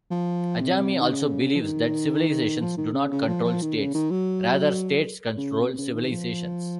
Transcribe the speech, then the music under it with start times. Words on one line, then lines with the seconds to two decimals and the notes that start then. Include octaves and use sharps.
Ajami also believes that civilizations do not control states; rather, states control civilizations.
0.10 F3
0.61 C3
1.01 D#3
1.11 C#3
1.55 F3
1.61 D#3
2.61 F3
2.77 D#3
2.94 C#3
3.12 C#3
3.27 F3
3.44 F3
3.62 D#3
3.78 C#3
3.94 D#3
4.11 F#3
5.37 C#3
5.61 C3
5.78 C#3
5.95 D#3
6.11 F3